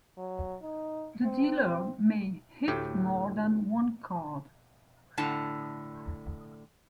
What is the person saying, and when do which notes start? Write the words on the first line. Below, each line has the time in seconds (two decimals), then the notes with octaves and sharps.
The dealer may hit more than one card.
0.18 F#3
0.63 D#4
1.24 C4
2.68 D2 A2 G4
5.18 A2 D3 A5